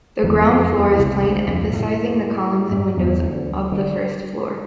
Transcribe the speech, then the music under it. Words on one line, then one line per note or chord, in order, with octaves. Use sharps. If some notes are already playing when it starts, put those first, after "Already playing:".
The ground floor is plain emphasising the columns and windows of the first floor.
E2 E3
F2 F3
E2 E3
C2 C3
D2 D3
F2 F3
A2 A3
G2 G3
E2 E3
D2 D3
D3